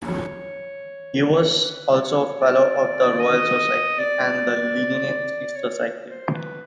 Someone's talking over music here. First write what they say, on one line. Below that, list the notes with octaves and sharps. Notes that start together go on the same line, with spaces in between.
He was also a Fellow of the Royal Society and the Linnean Society.
C#5
B4
D5
C#5
D5
D#5
D5
C#5
C5
B4